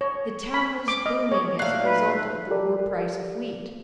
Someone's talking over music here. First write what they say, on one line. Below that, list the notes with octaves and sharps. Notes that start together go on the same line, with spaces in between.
The town was booming, as a result of the war price of wheat.
C#5
B5
D6
D#5
C#5
A#2 D#3 A3 F5 F#6 C7
B4
G4 A4 A#4 D5